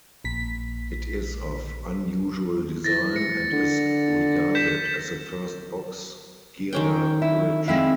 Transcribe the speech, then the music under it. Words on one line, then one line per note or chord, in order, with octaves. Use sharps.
It is of unusual design and is regarded as the first box girder bridge.
A#1 B6
E3 A6 A#6
C#7
D3
G6 B6 E7
D#3 C#4 G5
E4
G#3 C4 E4 F5